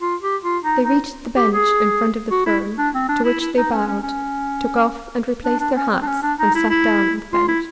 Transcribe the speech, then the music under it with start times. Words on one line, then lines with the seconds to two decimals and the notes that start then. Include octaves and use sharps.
They reached the bench in front of the throne, to which they bowed, took off and replaced their hats, and sat down on the bench.
0.01 F4
0.22 G4
0.43 F4
0.64 D#4
0.84 D#4
1.37 G4
1.53 G#4
2.31 F#4
2.46 E4
2.78 D4
2.94 C4
3.09 D4
3.24 E4
3.40 E4
3.57 D#4
3.72 C#4
3.87 C#4
4.03 C#4
5.44 D4
5.60 D4
5.76 C#4
5.92 C4
6.02 D4
6.07 C#4
6.23 D4
6.39 D#4
6.55 E4
6.70 E4
7.33 F4
7.48 E4